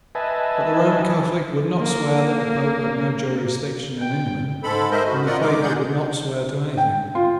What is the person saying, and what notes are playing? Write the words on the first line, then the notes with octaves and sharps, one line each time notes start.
But the Roman Catholic would not swear that the Pope had no jurisdiction in England, and the Quaker would not swear to anything.
B4 D#5 E5 G#5 A5
A#3
G5
G#2 G#3 A4 B5
A#4 C5 D#5 E5
F#4
F4 A#4 D5 D#5 F#5
D3 G#3 A#4 D6
G#4 D5 F#5 G6
G5
F4